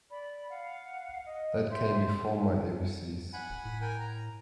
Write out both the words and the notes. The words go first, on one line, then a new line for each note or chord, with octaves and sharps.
That came before my A B C's.
D5 B5
F5 F#5
D#5
C5 E5
F#5 G#5 B5
D#1
A2
A#4 G5 G#5
A#5